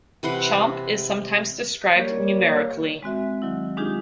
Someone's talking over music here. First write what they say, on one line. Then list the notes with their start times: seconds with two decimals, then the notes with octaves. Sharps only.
Chomp is sometimes described numerically.
0.23 C3 E3 F#5 C6
1.97 G3 A#3 C#5
3.03 G#3 C4 F#4 E5
3.42 D#3 F#3 E4
3.77 G#3 D4 D#4 F4 G4 G#4